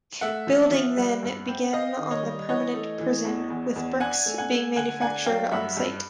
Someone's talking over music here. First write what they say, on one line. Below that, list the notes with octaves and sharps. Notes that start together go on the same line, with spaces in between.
Building then began on the permanent prison, with bricks being manufactured on site.
A3 E5 F#5
F3
F3
G3
G2
C4
C4 D#5 F5
D#3
C#5 D#5
G3
E3 C#5 D#5
A3
E3
E2
E2
E2
D4 F#5 G#5
A3
F#5 G#5
A3
D3 F#5 G#5
D4 F#5 G#5
F#3 F5 G5
G2 E5 F#5
G2